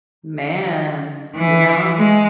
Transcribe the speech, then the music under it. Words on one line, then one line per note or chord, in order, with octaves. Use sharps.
Man, you know,
E3
G#3